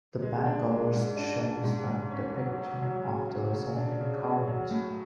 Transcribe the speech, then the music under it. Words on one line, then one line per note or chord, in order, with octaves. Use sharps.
The back cover shows a depiction of the resulting carnage.
G#3
D4
G#3
G#2
D4
D4
G#2
G#2
C#4
F#3
F#3
F#3
C#3
C#3
C#3
D4
C#3
C#3
F#3
A2